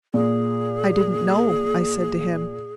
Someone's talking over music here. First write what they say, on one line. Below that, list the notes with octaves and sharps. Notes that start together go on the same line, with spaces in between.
"I didn't know," I said to him.
A#2 G#4